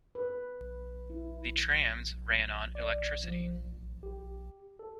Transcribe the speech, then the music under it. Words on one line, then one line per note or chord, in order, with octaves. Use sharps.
The trams ran on electricity.
B4
E4
D5
F3
A1
G4
A4